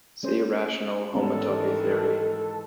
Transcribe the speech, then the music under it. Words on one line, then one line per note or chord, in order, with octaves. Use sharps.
See rational homotopy theory.
G#3 C#4 C5
G#2 D#3 E3 G3 B3 C#4 A4